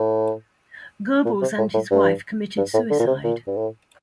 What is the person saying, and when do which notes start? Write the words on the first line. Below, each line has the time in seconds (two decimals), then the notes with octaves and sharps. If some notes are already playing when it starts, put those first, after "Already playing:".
Goebbels and his wife committed suicide.
Already playing: A2
1.25 A#2
1.42 C3
1.58 A2
1.74 A2
1.91 G2
2.58 G2
2.74 A2
2.90 D3
3.00 A#2
3.07 C3
3.24 A#2
3.47 G2
3.57 A2